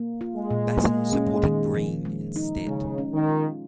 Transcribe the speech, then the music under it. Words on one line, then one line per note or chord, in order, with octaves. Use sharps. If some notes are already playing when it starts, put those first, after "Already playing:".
Batten supported Braine instead.
Already playing: A#3
F4
G#3
A#2
A#3
C#4
D#3
F3
G#3
D#4
C#3 G#3
C#4
D#3
F4